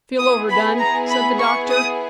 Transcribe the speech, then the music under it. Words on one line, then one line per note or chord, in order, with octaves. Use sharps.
"Feel overdone?" said the doctor.
B3 E4 G#4 D#6
B5
A#5
B5
C#6
D#6